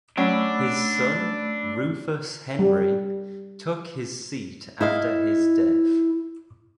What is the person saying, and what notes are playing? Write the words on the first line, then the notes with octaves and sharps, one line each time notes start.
His son, Rufus Henry, took his seat after his death.
F#3 A3 C#4 D4 B5 E6
G3
E4 D#5 F5